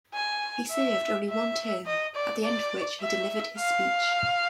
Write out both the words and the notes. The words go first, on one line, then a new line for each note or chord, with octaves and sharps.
He served only one term, at the end of which he delivered his speech.
G#5
E5
E5
D#5
D5
D5
E5
F5